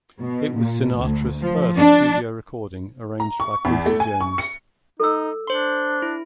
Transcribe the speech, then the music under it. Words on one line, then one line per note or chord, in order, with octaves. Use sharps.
It was Sinatra's first studio recording arranged by Quincy Jones.
B2
A#2
D2
F3
D4
A#5
C#6
E2
A3
G#5
C#6
C#7
D#4 A4 E6
D4 C5 C6
E4